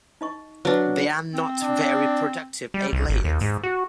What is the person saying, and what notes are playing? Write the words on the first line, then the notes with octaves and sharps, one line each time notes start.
They are not very productive egg layers.
D#4 D#5 C#6
F#3 D4 B4
C4
D4
G3
C2
G#1
D#2
G#2
F#4